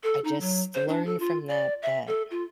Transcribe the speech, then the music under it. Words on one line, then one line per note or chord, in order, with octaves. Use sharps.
I just learned from that that
A4
D#4
F#3
C5
D4
A4
F4
D5
E5
A4
F4